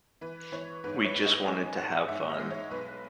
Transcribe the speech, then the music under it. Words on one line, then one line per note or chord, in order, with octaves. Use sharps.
We just wanted to have fun.
E3 B4
E3 C#5
G#2 B4
C#5
G#2
D#5
G#3 G#5
G#2 F#5
G#2 E5
D#5
G#3
C#5
B1 B4